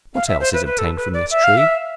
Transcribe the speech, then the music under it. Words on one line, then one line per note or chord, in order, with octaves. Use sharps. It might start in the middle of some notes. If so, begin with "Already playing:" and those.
What else is obtained from this tree?
F5
E5
C5
B4
B4
A4
B4
D5
E5
F5
E5